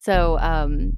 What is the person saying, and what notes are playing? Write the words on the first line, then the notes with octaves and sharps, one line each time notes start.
So, um
D#1